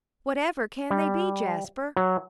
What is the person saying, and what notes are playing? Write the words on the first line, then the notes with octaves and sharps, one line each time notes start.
"Whatever can they be, Jasper?"
G3
F#3